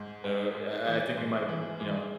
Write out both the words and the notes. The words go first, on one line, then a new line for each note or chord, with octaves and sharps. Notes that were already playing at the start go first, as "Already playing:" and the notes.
so I I think we might, you know,
Already playing: G#2
G#2
G#2
E3
G#2
E3
E3 G#3